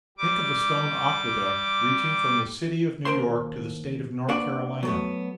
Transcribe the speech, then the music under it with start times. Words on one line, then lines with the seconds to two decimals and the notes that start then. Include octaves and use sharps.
Think of a stone aqueduct reaching from the city of New York to the State of North Carolina!
0.18 G3 D6
3.05 D#2 A#4 C5 C6
4.29 A#3 D4 F#4 B4 D5 F#5
4.83 F#3 A3 B3